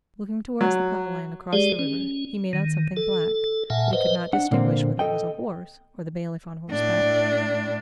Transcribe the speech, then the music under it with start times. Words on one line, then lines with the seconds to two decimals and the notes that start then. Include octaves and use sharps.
Looking towards the plough land across the river, he made out something black, but he could not distinguish whether it was a horse or the bailiff on horseback.
0.61 F#3
1.53 G#3 G4 G#4 D5
1.79 C#4
2.53 D#3
2.97 A4
3.70 A#2 E5 F#5 G#5 A5
3.93 B4 C5 D#5
4.33 D4 F#5
4.51 A#2 D3 A#3 C4
4.99 A4 D#5 G5
6.71 A2 D4